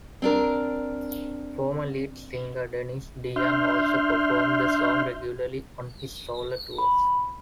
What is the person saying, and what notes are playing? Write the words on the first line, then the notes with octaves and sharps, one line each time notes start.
Former lead singer Dennis DeYoung also performs the song regularly on his solo tours.
C4 D4 A#4
D4 E5 C6 F6 G6
B5